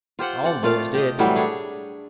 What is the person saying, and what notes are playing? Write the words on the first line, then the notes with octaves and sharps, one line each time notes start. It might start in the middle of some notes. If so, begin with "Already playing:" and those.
All the boys did.
F4 G4 C5 F#5
C4 D5 F#5
A3 F4 D5 F5
G4 D#5
A2 E3 F#3 G3
D4 G#4 C#5